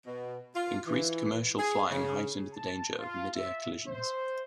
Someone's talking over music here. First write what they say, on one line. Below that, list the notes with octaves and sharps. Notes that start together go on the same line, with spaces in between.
Increased commercial flying heightened the danger of midair collisions.
B2
F4
E3
G#4
C#3
A5
F4
E5
C5